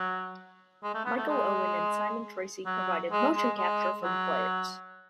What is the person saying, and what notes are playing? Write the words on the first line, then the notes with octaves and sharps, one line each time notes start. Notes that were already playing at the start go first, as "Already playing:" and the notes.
Michael Owen and Simon Tracey provided motion capture for the players.
Already playing: F#3
G#3
A3
B3
A3
G#3
F#3
G#3
G#3
G#3
F#3